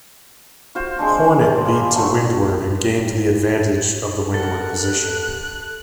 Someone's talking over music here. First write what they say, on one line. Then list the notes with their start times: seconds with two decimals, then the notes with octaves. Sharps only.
"Hornet" beat to windward and gained the advantage of the windward position.
0.75 F4 F#4 C5
0.99 G#3 C4 D4
1.39 D6
1.65 A#3 G#4 B5
1.94 F#3 A3 C5
4.34 A4 A#4 F#5
4.81 F#6